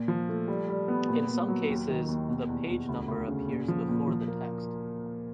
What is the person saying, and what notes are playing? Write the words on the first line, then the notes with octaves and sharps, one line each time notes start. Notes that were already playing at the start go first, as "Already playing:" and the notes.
In some cases, the page number appears before the text.
Already playing: A#2
F3
A3
G3
G3
B3
A#2
A#2
F#3
D#2
D#3
D#2
B2
E2
E2
D2
D2
C#3
A#2
F3
A#2
F3
A#3